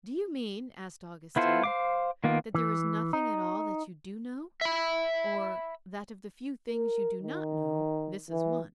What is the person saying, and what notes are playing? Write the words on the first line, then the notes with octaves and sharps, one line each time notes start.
"Do you mean," asked Augustine, "that there is nothing at all that you do know, or that of the few things you do not know this is one?"
B3 E4 F4 A4 C5
C5 F5 D6
D#3 A#3 B3 F4
E3
D#4
E5 B5
A#4
D#3
E3